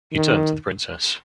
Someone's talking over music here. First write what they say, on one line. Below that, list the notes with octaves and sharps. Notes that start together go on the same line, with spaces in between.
He turned to the Princess.
D#3